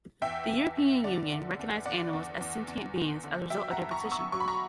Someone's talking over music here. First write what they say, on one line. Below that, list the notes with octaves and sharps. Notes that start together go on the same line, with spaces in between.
The European Union recognised animals as sentient beings as a result of their petition.
E2 E5 G5
E2
E2
D3 D5 F#5
D3
E2
E2 D5 F#5
E2
E2
E2
E2
D3
F#3 E5 G5
F#5 A#5
G2
A#5 C#6
B3
C#6 E6
F#3 C#6
B5
A#5 C#6